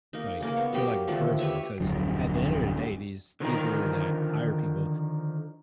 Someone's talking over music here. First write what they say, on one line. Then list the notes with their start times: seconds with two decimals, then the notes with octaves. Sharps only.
like, feel like a person, 'cause at the end of the day, these people that hire people,
0.13 A#3 D#4
0.40 C#3 A#3 C#4
0.56 B3 C#6
0.73 F#3 A#3 G4 G5
1.07 D3 D#3 F3 A3
1.39 G4 B4 C#5 E5
1.80 D1 F2 D3 F#3
3.40 D3 D#3 F3 F#3 D#4 A#4